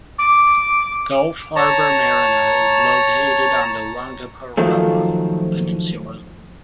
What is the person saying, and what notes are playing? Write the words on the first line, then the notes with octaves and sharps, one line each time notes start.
Gulf Harbour Marina is located on the Whangaparaoa Peninsula.
D6
C#5 A5 A#5
D#3 F3 F#3 A3